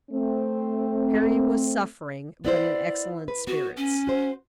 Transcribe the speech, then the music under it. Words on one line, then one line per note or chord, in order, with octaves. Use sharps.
Harry was suffering, but in excellent spirits.
A3 C4
B3 E4 C5 D5
B4
B3 F#4
C#4
F#4 C5